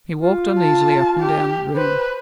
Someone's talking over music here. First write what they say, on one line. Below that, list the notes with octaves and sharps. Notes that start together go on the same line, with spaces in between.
He walked uneasily up and down the room.
F4
A5
G4
B4 C5